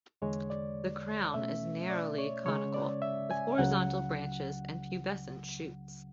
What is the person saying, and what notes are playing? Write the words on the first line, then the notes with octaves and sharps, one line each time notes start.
The crown is narrowly conical with horizontal branches and pubescent shoots.
E2 D3 G#3 C#5
D5
B2 A3 C#4 E5
D5
C#5
C#3 G#3 C#4 C#5
D5
E5
G#5
C#2 C#3 F#3 F#5